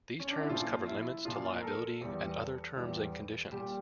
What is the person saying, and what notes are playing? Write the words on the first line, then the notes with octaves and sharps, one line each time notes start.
These terms cover limits to liability and other terms and conditions.
C#4
D4
E4
A#2 F3 F4
E4
A#2 F3 F4
A#4
A4
E2 E3 G3
E2 E3 G3
A#2 G3 G4